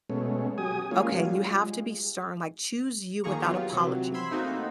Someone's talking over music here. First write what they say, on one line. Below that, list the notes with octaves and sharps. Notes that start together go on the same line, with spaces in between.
okay, you have to be stern, like, choose you without apology,
B2 G#3 A3 C#4
F#3 G4 G#5 D#6
G#3 A#3 C#4 F4
F#3 G3 F4
G#3
D#3 F3 A#3 G#4 A#5 C#6
F#3 B3 F4 G4
C3 E3 F#3 C4
B5 C6 E6 G#6
A3 A#3 C4 D#4 F#4